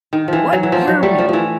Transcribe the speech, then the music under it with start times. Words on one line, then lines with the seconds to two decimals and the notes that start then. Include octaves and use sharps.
What Are We?
0.13 D#3
0.28 E3 F3
0.53 F#3
0.63 E3
0.72 F3
0.88 F#3
1.03 G3 A3
1.18 F3
1.29 E3 F3